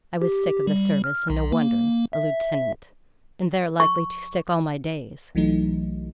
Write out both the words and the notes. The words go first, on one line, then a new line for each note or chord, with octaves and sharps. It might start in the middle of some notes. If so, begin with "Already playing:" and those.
I was sick of the service, and no wonder: a lieutenant--and there likely to stick all my days.
G4
G3
F6
B1
A#3
E5
C#6
B1 E3 F#3 A3 D#4